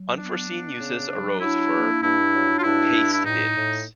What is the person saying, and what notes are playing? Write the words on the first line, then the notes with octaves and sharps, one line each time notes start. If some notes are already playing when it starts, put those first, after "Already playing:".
Unforeseen uses arose for pastebins.
Already playing: F#3
B3 D4
B3
C#3
F#3
F#3 D4 E4
A#3
G2 D4 E4
F#3
F4
G2 D4 E4
G2
E4
A2 D#4
A2